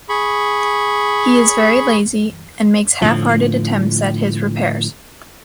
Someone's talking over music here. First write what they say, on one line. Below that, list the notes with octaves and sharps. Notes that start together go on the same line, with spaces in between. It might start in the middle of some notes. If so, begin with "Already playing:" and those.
He is very lazy and makes half-hearted attempts at his repairs.
G#4 B5 C#6
A2 D3 F3